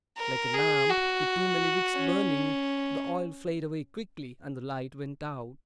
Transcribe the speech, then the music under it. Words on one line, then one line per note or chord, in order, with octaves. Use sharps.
Like a lamp with too many wicks burning, the oil flared away quickly, and the light went out.
A#4
G#4
F#4
C#4